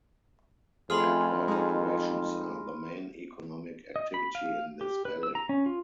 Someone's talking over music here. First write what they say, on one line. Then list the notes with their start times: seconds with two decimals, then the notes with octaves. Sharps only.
Airport operations are the main economic activity in this valley.
0.90 F2 A3 F4 G#4 B5 C6 F6
1.48 G#3 D#4
3.96 D#5
4.14 B5
4.35 F5
4.81 G4
5.05 B4
5.23 E6
5.35 A#5
5.49 C#4
5.66 F4